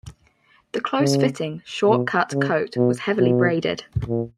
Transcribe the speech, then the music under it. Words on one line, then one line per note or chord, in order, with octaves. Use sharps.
The close fitting, short-cut coat was heavily braided.
C#3
B2
C#3
B2
B2
A#2